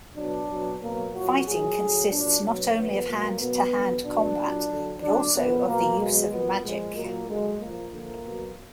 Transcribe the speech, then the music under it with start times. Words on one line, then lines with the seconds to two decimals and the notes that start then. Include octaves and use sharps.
Fighting consists not only of hand-to-hand combat but also of the use of magic.
0.17 B2 F#3 D4
0.49 B2 F#3
0.82 B2 F#3 A#3
1.14 A#2 F#3 F#4
1.46 A#2 F#3 G#4
1.78 D3 F#3
2.10 A#2 F#3 D4
2.43 B2 F#3
2.76 D3 F3 B3
3.07 B2 F#3 A#3
3.40 B2 F#3 B3
3.73 D3 F#3
4.04 B2 F#3 D4
4.37 A#2 F#3
4.70 D3 F#3
5.01 D3 F#3 D4
5.34 A#2 F3 B3
5.66 B2 F#3 A#3
5.98 B2 F#3 G#3
6.31 A#2 F#3 B3
6.64 A#2 F3 G#3
6.95 A#2 F#3 A#3
7.27 D3 F#3 G#3
7.61 A#2 F3 A#3
7.92 D3 F3 A#3
8.24 B2 F#3